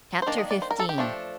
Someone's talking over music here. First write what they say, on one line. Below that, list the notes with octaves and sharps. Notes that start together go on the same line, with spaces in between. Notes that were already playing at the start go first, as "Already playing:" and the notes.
Chapter XV.
C5
D#3 A#3 D4 D5
D#5
D5
C5
A#4
A4
G4
F3 A3 D4